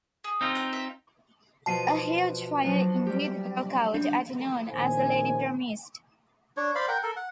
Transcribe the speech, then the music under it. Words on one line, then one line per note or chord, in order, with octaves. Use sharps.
A huge fire indeed broke out at noon as the lady promised.
G#4
C4 D#4 F4
G5 F#6
E5
B2 F3 A5 C7 D#7
F3 F#3 D4
G3 G4
D4
A#1 D#3 C#4 C5 G#5
D4 C#5
C5 D5 F5 B5
A#4 F#5 G5
A4 A#4
F#5